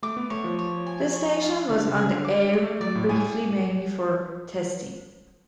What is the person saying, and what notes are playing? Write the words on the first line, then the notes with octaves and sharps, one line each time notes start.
The station was on the air briefly, mainly for testing.
A3 D6
B3
A3 C#5
F3
C#5
G#5
C#5
F4
D3 F5
C#3
G#4
D3
D6
D5
A3
F#3 D5
A2
A2 G#5